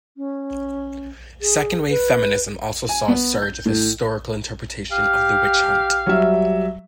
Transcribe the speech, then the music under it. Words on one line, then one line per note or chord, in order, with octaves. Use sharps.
Second-wave feminism also saw a surge of historical interpretation of the witch-hunt.
C#4
G#4
B4
G#5
B3
G6
A2
G4 F5
F#3 G3 E5